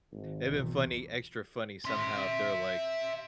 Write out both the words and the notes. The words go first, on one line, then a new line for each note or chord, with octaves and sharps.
And then funny extra funny somehow if they're, like,
G#1
B1 E2
E5 C6